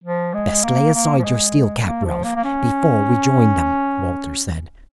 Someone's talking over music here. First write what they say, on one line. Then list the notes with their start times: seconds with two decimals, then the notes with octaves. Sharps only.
"Best lay aside your steel cap, Ralph, before we join them," Walter said.
0.04 F3
0.34 G#3
0.64 A#3
0.94 A#3
1.18 F3
1.24 G#3
1.84 A#3
2.04 F3
2.24 A#3
2.36 A#3
2.44 C#4